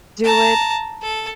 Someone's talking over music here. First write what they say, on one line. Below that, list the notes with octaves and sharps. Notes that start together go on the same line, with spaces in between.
do it.
A5 A#5
A4